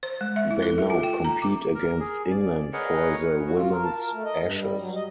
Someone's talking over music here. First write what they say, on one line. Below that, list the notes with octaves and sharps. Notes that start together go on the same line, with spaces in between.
They now compete against England for the Women's Ashes.
C5
G#3
E5
E4
A4
E5
F4
G5
A#5
D6
A#4
G#4
D5
G#4 A#4 B4 C#5 D#5 F#5
F#4
F4
A#4
A5
A#4
A3
D#5
G2
G3
F#3
D#5